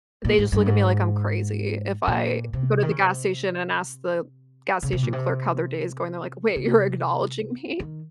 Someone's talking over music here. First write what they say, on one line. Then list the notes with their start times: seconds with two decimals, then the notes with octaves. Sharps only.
they just look at me like I'm crazy. If I go to the gas station and ask the gas station clerk how their day is going, they're like, "Wait, you're acknowledging me?"
0.25 A#2
0.38 G#2
0.52 G2
0.66 G#2
2.07 A#2
2.53 C3
2.82 D#3
2.91 C#3
2.99 C3
4.83 C#3
4.93 C3
5.03 A#2
5.13 C3
6.56 C#3
6.65 C3
7.80 D#3